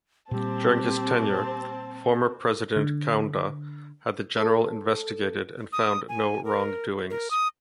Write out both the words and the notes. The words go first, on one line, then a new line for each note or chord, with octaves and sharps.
During his tenure, former president Kaunda had the General investigated and found no wrongdoings.
A#2 G3 C4 G4 A5
D3
A4
D#6
G#5
A#4
A#4
D#6